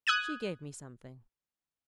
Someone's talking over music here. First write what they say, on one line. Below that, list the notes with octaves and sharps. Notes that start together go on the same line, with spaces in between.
She gave me something.'
D#6 F#6 G#6 D#7